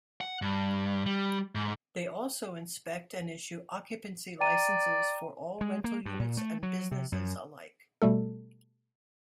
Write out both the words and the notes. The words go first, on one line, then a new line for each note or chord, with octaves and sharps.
They also inspect and issue occupancy licenses for all rental units and businesses alike.
F#5
G2
G3
G#2
D5 G5 A#5 D#7
G#3
A#3
G2
A#2
A3
F#3
C3
F#2
B2 G3 A3 A4